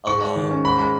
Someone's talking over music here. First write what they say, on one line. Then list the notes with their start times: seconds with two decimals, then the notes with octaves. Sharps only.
a lung,
0.07 G#2 C#6
0.21 G#3
0.36 D#3
0.51 C#4
0.64 G#2 B5
0.79 G#3 B5